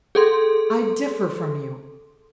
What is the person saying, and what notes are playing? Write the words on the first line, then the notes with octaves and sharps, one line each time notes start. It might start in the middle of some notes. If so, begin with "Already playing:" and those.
'I differ from you.
G#4 A4 C6